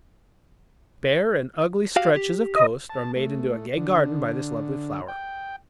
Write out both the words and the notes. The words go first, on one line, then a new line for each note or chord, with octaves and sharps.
Bare and ugly stretches of coast are made into a gay garden by this lovely flower.
F#4 G4 F5
G4
D#5
A5
A3
D3
G5